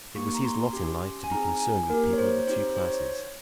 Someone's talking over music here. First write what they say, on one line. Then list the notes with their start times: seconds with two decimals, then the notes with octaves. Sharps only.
It was his lot in life to be concerned with people of the two classes.
0.16 A#3 D#4 G4 C#6
0.34 A#5
0.44 C6
0.73 C#4 G4
1.24 G#5
1.31 C4 D#4 G#4 A#5
1.60 G#5
1.89 A#3 D#4 G4 A#4
2.13 C#5
2.18 C5
2.47 C4 D#4 G4 C5
2.76 C5
2.84 C#5